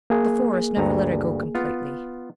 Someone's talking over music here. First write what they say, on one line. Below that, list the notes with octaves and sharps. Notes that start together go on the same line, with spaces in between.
The Forest never let her go completely.
A#3 G#4
D2 G2 A#5
B3 F4